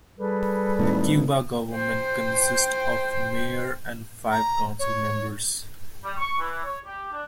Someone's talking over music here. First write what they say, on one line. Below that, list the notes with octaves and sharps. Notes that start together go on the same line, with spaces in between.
The Cuba government consists of a mayor and five council members.
G3 G#4 A4 B4
G#1 A2 D#3
C5 G5
A#5
C#5
G3
C#6
E3
C#5
G4
D4